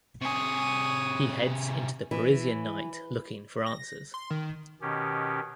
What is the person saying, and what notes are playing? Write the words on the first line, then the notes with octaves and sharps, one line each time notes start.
He heads into the Parisian night looking for answers.
C3 G#4 C#6 D#6
E3
A#6
C6
D#3
B2 D#3 C#4 G4